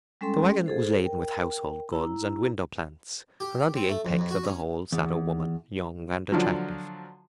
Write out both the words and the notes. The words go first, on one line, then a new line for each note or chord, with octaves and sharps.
The waggon was laden with household goods and window plants, and on the apex of the whole sat a woman, young and attractive.
G3 G#3 C#4 A4 G5 C6
G#4 A4 C5
A#4 G5
E4 A#5
G4
C4
A3
F2
F2
F#4
C#4
E2
D3 F3 F#3